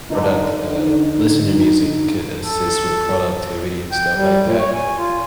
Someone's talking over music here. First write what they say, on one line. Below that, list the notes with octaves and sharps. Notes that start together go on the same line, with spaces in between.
product uh, listen to music could assist with productivity and stuff like that,
D3 D#4
A4
G5
G3
A#2
C#5
G#5
F4